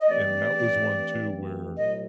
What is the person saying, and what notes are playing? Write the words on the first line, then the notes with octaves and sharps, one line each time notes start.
And that was one too where
D#5
G2 E3 A3 C4 D5
C2 A#2 F#3 A3 D#5